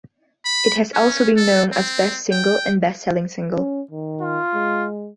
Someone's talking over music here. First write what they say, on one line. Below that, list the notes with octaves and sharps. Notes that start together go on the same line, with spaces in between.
It has also been known as Best Single and Best Selling Single.
B5
C#4
A4
C4
G5
C#4
D#3
F4
G#3